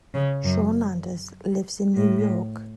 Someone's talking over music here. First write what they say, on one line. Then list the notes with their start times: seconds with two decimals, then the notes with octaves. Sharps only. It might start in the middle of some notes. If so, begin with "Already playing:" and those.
Sean Landers lives in New York.
0.14 C#3
0.44 F#2
1.95 A2